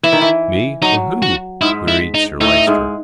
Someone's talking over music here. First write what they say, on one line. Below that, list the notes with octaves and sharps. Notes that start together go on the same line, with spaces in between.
"Me or who?" queried Sir Lyster.
E3 E4
D#3
E3
F#3 D#4
F#4
G#2 G#3 E4
E4
D#4
A2 A3 D#4
G#2 G#3